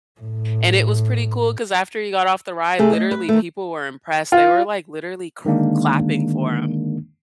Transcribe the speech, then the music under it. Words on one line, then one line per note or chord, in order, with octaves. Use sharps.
And it was pretty cool, 'cause after he got off the ride, literally, people were impressed. They were, like, literally c clapping for him.
A2
C3 A3 G#4
D#5
B4
D#3 A3
F4
D3 D#3 G#3 A#3 D4